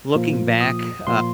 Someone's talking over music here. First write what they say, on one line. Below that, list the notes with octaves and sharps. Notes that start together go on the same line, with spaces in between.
looking back, uh,
A#2 F3 A#3 F4
D#6
A#2 F3 A#3 F4 C6